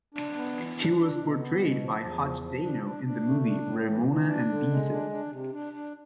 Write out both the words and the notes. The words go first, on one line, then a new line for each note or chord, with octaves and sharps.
He was portrayed by Hutch Dano in the movie "Ramona and Beezus".
D4
B3
E3
D4
D4
B2
B3
B2
F3
E2
F3
F3
D4
D4
D4
A3
D4
A2
E3
E3
D4
D3
G#3
D4
D4
C3
D4
D4